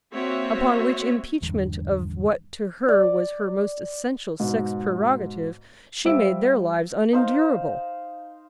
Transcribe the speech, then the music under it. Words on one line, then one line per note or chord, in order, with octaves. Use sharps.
Upon which impeachment of what to her was her most essential sex-prerogative, she made their lives unendurable.
A#3 C4 F#4 C#5 E5
G#1 E2 G2 D3
D5
G#2 B2
G3 C5 E5 F5 E6 D7
D#4 C5 F5 A#5